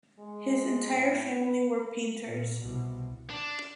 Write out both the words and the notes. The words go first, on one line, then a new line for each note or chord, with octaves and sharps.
His entire family were painters.
G#3
A2
B4
A#2
C2 B2
D4